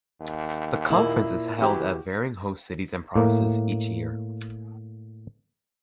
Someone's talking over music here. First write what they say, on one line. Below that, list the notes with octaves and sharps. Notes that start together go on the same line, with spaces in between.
The conference is held at varying host cities and provinces each year.
D#2
A#2 E4
E3 F#4 G4
A2 A#3